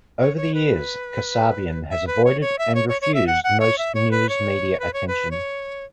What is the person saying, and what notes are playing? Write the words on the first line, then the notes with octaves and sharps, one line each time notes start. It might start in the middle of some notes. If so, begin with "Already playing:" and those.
Over the years, Kasabian has avoided and refused most news media attention.
C#5
C#5
B4
E5
B4
C#5
C#5
E5
C#5
C#5
C#5
E5
F#5
F#5
C#5
E5
C#5
B4
C#5
B4
C#5
B4
C#5